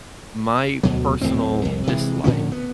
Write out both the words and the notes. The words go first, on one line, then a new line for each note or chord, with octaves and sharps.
My personal dislike
D2 B2 F#3
D1 A#1 A2 C4
C2 F2
C3 E3 G#3
A2 D3 F3 C#4
B3